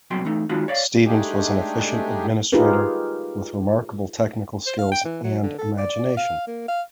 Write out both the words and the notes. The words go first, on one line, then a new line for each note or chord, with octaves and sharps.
Stevens was an efficient administrator with remarkable technical skills and imagination.
C2 B2 F#3 G5 C6
E3 A3 D#4
D#3 G#3 D#4 F4 F#4
C#5 D5 F5
G#3 A3 D4 D#4 G4 G#4
D#4 F4 G4 G#4 A#4 B4
C5
F5
G5
E3
F#3
D3
A4
D5
F5
A#3
F5